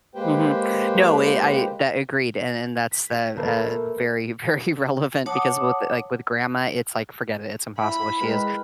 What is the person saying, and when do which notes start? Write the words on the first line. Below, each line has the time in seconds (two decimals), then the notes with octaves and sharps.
Mhm. No, we I, that I agreed, and and that's the uh, very, very relevant because with like with grandma, it's like forget it, it's impossible. She is
0.15 G#3 A#3 G4 B4 C5 G5
2.91 B6
3.37 A3 A#3 A#4 B4 E5
5.26 C#5 F#5 A5 D6 D#6
7.78 E4 B5
8.20 G#3 A#4 B4 G5